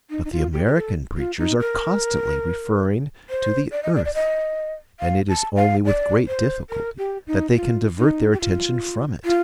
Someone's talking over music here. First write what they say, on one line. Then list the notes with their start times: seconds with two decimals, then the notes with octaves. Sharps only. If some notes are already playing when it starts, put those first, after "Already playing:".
But the American preachers are constantly referring to the earth; and it is only with great difficulty that they can divert their attention from it.
0.10 D#4
0.25 D#4
0.32 F4
0.53 G4
0.66 G4
0.75 A4
1.17 F4
1.38 D#4
1.60 A#4
3.30 C5
3.72 D5
3.83 D#5
3.95 D5
4.05 D5
4.14 D#5
5.00 F5
5.29 A5
5.56 F5
5.86 D5
6.27 C5
6.70 A#4
6.98 G4
7.27 D#4
7.55 F4
7.98 D#4
8.32 G4
8.41 F4
9.25 F4